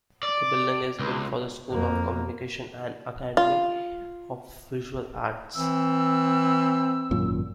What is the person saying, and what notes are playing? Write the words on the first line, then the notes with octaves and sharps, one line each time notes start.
The building is built for the School of Communication and Academy of Visual Arts.
D5
C#2
F2 A#3
F4
E3 C4 E6
G#1 F#2 A#2